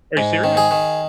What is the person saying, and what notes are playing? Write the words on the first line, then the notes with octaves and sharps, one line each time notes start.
Are you serious?
G#2
D#3
G#4
D#3